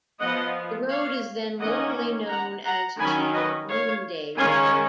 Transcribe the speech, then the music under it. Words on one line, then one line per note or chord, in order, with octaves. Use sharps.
The road is then locally known as Chief Noonday Road.
F3 B3 D#5 F#5
C#5 F5
D#3 A#3 C#4 D#5 F#5
F#5 A#5
F#5 A#5
D#3 F#3 C#4 G#5 B5
B4 D#5
C#5 F5
D#3 G#3 C#4 F5 G#5